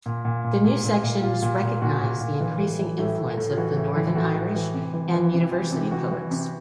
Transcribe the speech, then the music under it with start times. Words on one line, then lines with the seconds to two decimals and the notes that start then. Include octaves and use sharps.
The new sections recognised the increasing influence of the Northern Irish and "university" poets.
0.06 A#2
0.25 A#2
0.44 A#2
0.64 A#2
0.84 A#2
1.04 A#2
1.23 A#2 F4
1.42 A#2
1.62 A#2
1.82 A#2 F#4
2.01 A#2
2.21 A#2
2.40 E3
2.59 A2
2.79 E3
2.98 A2 E4
3.18 A2
3.37 A2
3.50 F4
3.58 E3 F#4
3.77 A2
3.97 E3
4.15 A2 F#4
4.35 A2
4.55 E3
4.74 C3
4.94 E3
5.14 E3
5.33 C3
5.52 E3
5.72 C3
5.91 E3 F#4
6.12 E3
6.31 C3